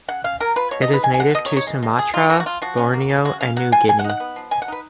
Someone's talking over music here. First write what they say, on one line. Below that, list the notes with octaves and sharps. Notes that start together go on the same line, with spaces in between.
It is native to Sumatra, Borneo, and New Guinea.
C#3 F#5
C#4 F5
F#3 A#4
F4 B4
B2 C#5
D#5
D#4
B4
G#3 G#5
G#5
B2 F#5
B2 D#5
C#5
D#4
C#5
G#3
B2
F3 G#4
D#4 F4
A#3 F#4
F#4
F3 F4
F3 F#4
C#4
A#3
F3
C#3 F#4
C#4 F5
F#3 F#5
F4 G#5
F3 G#5
F#5
D#4
F#5
B3
F3
B2 G#5
F#5
D#4 B4